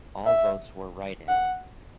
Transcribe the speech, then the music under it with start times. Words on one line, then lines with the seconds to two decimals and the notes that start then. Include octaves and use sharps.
All votes were write-in.
0.26 E5
1.29 F#5